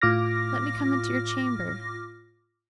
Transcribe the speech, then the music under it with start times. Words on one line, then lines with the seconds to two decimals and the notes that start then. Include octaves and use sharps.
Let me come into your chamber.
0.02 A2 F4 D6 F6 A#6